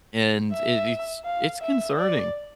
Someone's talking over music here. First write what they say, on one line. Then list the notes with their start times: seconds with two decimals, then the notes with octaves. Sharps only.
and it it's it's concerning,
0.53 E5
1.25 F5
1.61 E5
1.97 D5